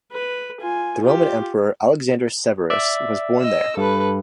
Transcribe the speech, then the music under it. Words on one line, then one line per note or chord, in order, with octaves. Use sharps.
The Roman Emperor Alexander Severus was born there.
B4
F4 G#5
F4 G4
D5 E5
D#5 E6
G2 A4 B4